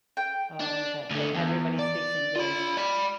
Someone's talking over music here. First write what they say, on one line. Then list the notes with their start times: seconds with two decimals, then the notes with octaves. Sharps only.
Oh my god. Th everybody speaks English.
0.17 G5
0.60 D4
1.11 D2 D3
1.34 E2
1.79 D5
2.36 F4 B5
2.77 D5 B5